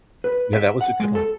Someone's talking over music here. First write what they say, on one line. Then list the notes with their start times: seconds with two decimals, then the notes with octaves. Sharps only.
Yeah, that was a good one.
0.24 B4
0.53 E5
0.81 F#5
1.00 G#3
1.15 A4